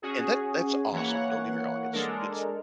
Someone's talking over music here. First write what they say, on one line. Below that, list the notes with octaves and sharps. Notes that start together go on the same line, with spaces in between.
And that that's awesome. Don't get me wrong. It's it's,
C#4 F#4 G#4
E3 A#3 C#5 F#5
G#3 D4 A4 A#4